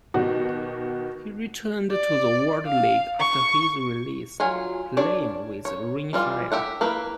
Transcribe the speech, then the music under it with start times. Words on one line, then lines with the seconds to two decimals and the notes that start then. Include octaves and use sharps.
He returned to the World League after his release, playing with Rhein Fire.
0.14 B2 D#3 F#4 G4
1.91 D5
2.67 F5
3.20 C#6
4.40 F#3 F4 G#5
4.97 D4 C#5 D5
5.65 C#5
6.13 E3 G3 F4
6.52 G4 E5 F#5
6.81 A#3 E4 B4